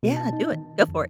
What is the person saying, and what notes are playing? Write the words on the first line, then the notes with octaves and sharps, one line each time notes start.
Yeah, do it. Go for it.
B2
A5
D#4
D#3
F2